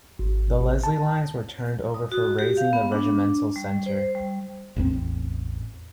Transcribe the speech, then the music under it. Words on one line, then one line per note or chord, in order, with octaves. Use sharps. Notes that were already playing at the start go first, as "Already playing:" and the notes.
The Leslie lines were turned over for raising the Regimental Centre.
G#1
A1
A5
D#6
F#4
G4
F5
B3
D4
G3
C5
G3
A1 E2 A3 C4